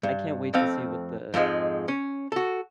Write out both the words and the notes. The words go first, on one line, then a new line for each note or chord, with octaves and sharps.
I can't wait to see what the
G2
F2 A3 C4 F5
F2 G#2 F3 G#3
C#4
F#4 A4